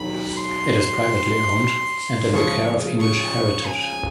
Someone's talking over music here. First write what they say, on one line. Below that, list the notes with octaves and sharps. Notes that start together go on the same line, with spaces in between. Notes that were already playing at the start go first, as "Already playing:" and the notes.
It is privately owned and in the care of English Heritage.
Already playing: E1 D#2 D#3 F#3 B5
C6
C#3 F3 G#3 C#4 F4 C#6
C#6
G#5